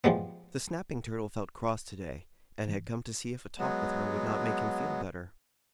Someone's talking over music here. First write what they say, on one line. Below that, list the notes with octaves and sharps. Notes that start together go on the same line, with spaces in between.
The Snapping Turtle felt cross to-day, and had come to see if a talk with her would not make him feel better.
F3 G3 G#3 B3
F#3 G#3 B3